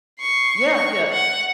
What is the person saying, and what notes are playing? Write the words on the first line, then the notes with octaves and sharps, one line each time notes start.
Yeah, yeah,
C#6 C7
C#6
F#5